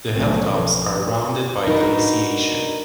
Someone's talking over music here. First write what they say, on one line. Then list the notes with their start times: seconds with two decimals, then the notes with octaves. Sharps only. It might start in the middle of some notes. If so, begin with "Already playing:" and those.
The hilltops are rounded by glaciation.
0.10 B1 D#3 F3 A3 A#3 C#4
1.67 D4 D#4 F#4 A#4 B4